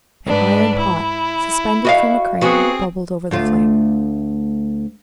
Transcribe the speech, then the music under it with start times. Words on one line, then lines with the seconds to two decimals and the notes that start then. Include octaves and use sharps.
An iron pot, suspended from a crane, bubbled over the flame.
0.24 G#2 D4 B4
0.78 E4
1.85 F#4 D#5 F5
2.41 B3 C4 F#4 G#4
3.31 D2 A3 F4